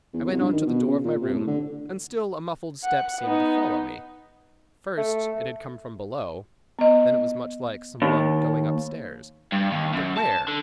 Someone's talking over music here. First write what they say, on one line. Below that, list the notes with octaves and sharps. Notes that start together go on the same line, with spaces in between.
I went on to the door of my room, and still a muffled step seemed to follow me,—first it had come from below, then it was much like some one going up stairs,—but where?
E2
C2
G2
D#3
B2
C#3
A#2
C3
A2
D3
F#5
B3 D#4
A3
B3 D#5
D#2
G2
D#2
F#2
A5
D3